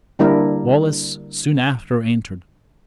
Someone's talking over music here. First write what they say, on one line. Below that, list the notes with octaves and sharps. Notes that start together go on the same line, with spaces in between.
Wallace soon after entered.
D3 G3 A#3 D4 E4 A#4